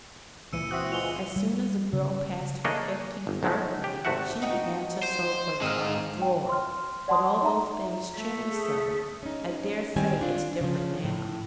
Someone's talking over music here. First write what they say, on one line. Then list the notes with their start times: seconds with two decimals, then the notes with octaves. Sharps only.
As soon as a girl passed her fifteenth birthday, she began to sew for the "bottom drawer." But all those things change so, I dare say it's different now.'
0.53 C#2 A#2 E3 E6 C#7 D#7
0.71 C4 F#4 E5 D#6 F#6
0.92 E3 G#3 F4 F7 G7
1.36 G3
1.93 C#3
2.64 A3 A#3 D4 G#4 C#5 D#5
3.27 G1
3.43 B1 F3 F#3 G#3 A3
3.84 G4
4.05 G#1 C3 A3 F#4 E5 F#5
4.42 D#4 F#4 G5
5.03 C5
5.62 G#2 G#3 C4 D#5 F5
6.22 G5
6.49 C6 F6
7.08 D5 F#5 A5 C6 D#6
7.42 D#4 E5 A#5
8.14 A3
8.49 G#4
9.23 C#4 D#4
9.96 A2 D#3 G3 C4 G#5
10.21 D4 F4
10.61 C#3 F3
11.04 A2